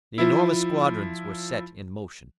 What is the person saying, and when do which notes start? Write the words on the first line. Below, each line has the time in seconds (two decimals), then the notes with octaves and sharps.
The enormous squadrons were set in motion.
0.18 F3 E4